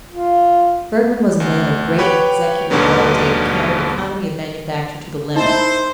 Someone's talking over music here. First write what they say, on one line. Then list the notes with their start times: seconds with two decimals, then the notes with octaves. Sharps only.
Bergmann was a man of great executive ability and carried economy of manufacture to the limit.
0.09 F4
1.40 D2
1.98 G4 B4 C#5 F#5 G5
2.70 D#2 G#2 B2 D3 F#3 B3
5.36 D#4 E4 C5 A5